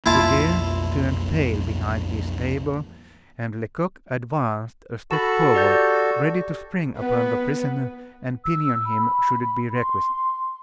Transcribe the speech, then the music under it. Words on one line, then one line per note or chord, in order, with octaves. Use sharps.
Goguet turned pale behind his table, and Lecoq advanced a step forward, ready to spring upon the prisoner and pinion him should it be requisite.
B1 F2 A#3 E4 F4 A5
F#4 A4 A5 B5
G4 D5 G6
B3 B4
E6
B5
C6